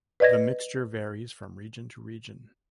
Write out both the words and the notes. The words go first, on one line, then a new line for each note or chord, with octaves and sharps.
The mixture varies from region to region.
B4 D5 D#5 G#6 A#6